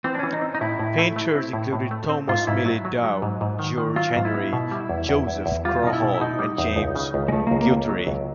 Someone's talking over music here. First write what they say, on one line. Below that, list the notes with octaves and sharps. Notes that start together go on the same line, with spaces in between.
Painters included Thomas Millie Dow, George Henry, Joseph Crawhall and James Guthrie.
E3 C4
D4
E3 C#4
D#4
C4
D#4
A2 E4
A2
A3
A3
C4
A2
A2
A3
C4
G#2 F4
G#2 E4
F#3
F#3
F#3
G#2
G#2
D#3
D#3
F#3 F4
G#2
E4
B3
B2
G3
E2
E2
E2
E2
G3 F4
B2 D#4
E4
B2
E4
B2 D#4
G3
E2
C#2
C#3
C#2
G#3
C#2 A3
C#2 A#3
A#3
C#2
F#3
C#2